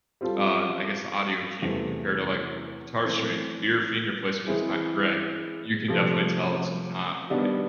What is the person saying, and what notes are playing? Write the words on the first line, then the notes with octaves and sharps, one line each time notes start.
uh, I guess, the audio cue compared to, like, guitar strings, if your finger placement is not correct, you can definitely tell it's not right,
G3 C4 F4 A4
E2 C3 E3 A3 C4
E3 A3 C4
E3 G#3 C4 E4 G#4
C3 F3 A3
D#3 G3 B3 D4